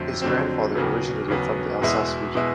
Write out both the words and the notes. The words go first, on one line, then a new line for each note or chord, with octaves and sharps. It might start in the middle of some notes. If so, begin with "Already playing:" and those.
His grandfather originated from the Alsace region.
Already playing: F2 D3 F#3 A3 C4
F2 D3 F#3 A3 C4
D#2 C#3 F#3 B3
D#2 C#3 F#3 B3
E2 B2 G#3 B3 E4
B2 G#3 B3 E4